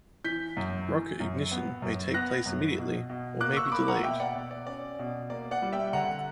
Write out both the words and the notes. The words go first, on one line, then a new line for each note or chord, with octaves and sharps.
Rocket ignition may take place immediately, or may be delayed.
E3 G6 B6
F#2
E3
F#2
B3
F#2
B3 F#6 A#6
F#2
B2
B2
A#3 D6 F#6
C#6 E6
A#3 B5 D6
F#5 A#5
B2 E5 G5
D5 F#5
B2
D5
C#4 D5
B2
A#3 D5
D5 F#5
G3
E5 G5
D3 F#5 A#5